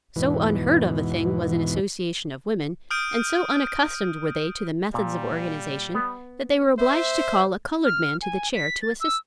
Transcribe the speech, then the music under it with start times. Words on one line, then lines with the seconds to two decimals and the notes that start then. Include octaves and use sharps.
So unheard of a thing was an association of women, and so unaccustomed were they to the methods of organization, that they were obliged to call a colored man to the chair to assist them.
0.16 E2 G#2 B2 E3
2.91 D#6 F6 G6 D7 D#7
4.94 A#2 G3
5.94 B3
6.79 C5 E5
7.84 F6
8.22 G#5
8.55 B6
8.82 A6
9.00 E6